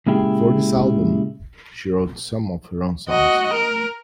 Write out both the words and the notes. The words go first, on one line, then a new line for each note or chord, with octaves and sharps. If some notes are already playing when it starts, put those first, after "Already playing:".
For this album she wrote some of her own songs.
A#2 C#3 G#3 E4 G4 G#4
F#4 D#5
A#4